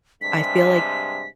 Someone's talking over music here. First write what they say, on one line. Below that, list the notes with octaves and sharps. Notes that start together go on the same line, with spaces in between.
I feel like
G2 C3 G#3 B6